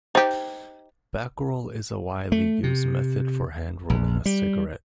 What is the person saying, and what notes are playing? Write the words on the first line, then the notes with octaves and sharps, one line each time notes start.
Backroll is a widely used method for hand-rolling a cigarette.
D#4 G4 C5
A3
C3
A#1
G3